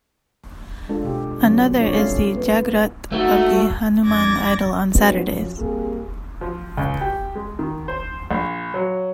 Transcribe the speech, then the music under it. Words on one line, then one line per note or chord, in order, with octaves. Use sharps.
Another is the 'Jagrut' of the Hanuman Idol on Saturdays.
G#3 D4 F4 A4
B2 G4
D3 F#3 A#3 C4 C#4
D4 F4 C#5 D5
G3 C4 C#4 E4 A4 F5
A#3 B3
A3 D#4 F#4
F2 D4 D6 G#6 A#6
G#2 F#3 G#3 B3 C4 D4
F#2 F3
G3 A#3 C4 G#4
F3
C#2
G4
G#3
D#3
C5
A#1
F#3